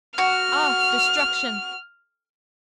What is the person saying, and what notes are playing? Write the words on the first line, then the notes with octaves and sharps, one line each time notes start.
Ah! Destruction!
F#4 F6